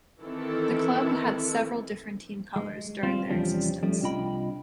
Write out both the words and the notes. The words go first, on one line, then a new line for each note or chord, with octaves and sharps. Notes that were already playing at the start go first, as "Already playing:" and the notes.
The club had several different team colours during their existence.
D#3 E3 C4 E4 A4
G#3
G3 C4 F4
E2 C3 F3 G3 C#4 D4
F3 G3 A3 C#4
C2 D4 F4 D#5 G5 B5